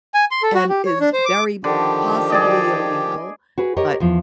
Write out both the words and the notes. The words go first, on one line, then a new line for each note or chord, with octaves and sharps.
and is very possibly illegal, but
G#5
C6
A4
F#4
G4
C#5
D4
C5
D6
D3 D#3 F3 G4
G#4 D5 D#5
F#4 G#4 B4
G4 A#4 C#5 D#5
E2 F3